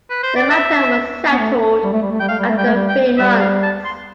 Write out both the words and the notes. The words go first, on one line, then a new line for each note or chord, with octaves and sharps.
The matter was settled after three months.
B4
C5
D5
E5
B3
A3
G3
A3
G3
A3
G3 G5
A3 F5
G3
A3
G3 G5
A3
G3
G5
G3 E5
F5
A5
C6